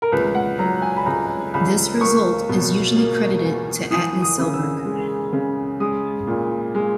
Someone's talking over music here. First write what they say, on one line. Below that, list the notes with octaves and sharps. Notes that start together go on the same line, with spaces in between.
This result is usually credited to Atle Selberg.
A#4
C#2 B4
F#5
F#3 A#5
G#5
B5
C#2 A#5
C#2 B5
A#3 C#6
B2
A#3
E2
E3 D#6
D#6
C#3
E6
G#3
C#3
G#3 D#6
A#2
G#3